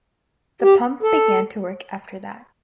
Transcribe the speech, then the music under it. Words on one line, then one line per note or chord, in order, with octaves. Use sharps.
The pump began to work after that.
G4
A4